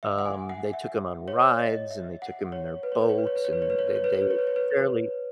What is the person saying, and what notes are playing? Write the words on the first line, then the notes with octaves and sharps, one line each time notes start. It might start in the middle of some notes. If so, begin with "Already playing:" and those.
um, they took him on rides, and they took him in their boats, and they they were fairly
E5
F#5
G#5
F#5
E5
C#5
D#5
E5
F#5
C#5
B4
C#5
B4
C#5
B4
C#5
B4
C#5
B4
C#5
B4
C#5
B4
C#5
B4
C#5
B4
C#5
B4
C#5
B4